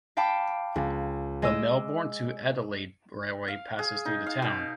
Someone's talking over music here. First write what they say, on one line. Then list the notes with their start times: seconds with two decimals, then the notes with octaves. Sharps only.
The Melbourne to Adelaide railway passes through the town.
0.17 F5 G5 A5 B5 D6
0.76 C#2
1.42 G#3 D#5 D6 E6
3.48 F5
3.79 G#4
4.05 D#4
4.26 F5
4.42 B2